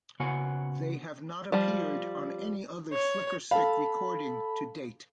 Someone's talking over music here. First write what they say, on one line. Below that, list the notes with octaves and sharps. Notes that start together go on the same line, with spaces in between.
They have not appeared on any other Flickerstick recording to date.
C#3 B3 F#4 C#5 F#5 G#5
F3 G3
C#5
A4 F5 A5 B5